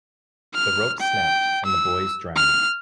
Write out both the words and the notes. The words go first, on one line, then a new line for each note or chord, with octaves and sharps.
The rope snapped, and the boys drowned.
F6
G5
E6
F6